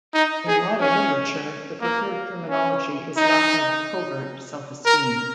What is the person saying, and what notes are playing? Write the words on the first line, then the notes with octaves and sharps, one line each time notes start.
In modern literature, the preferred terminology is "lack of covert self-esteem".
D#4
G#4
C#4
A#3
C#4
D#4
A#4